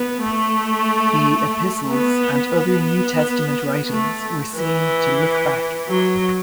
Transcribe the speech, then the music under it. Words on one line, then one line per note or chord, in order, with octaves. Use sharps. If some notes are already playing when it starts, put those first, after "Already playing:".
The epistles and other New Testament writings were seen to look back.
Already playing: B3
A3
B3
B3
A3
E3
F#3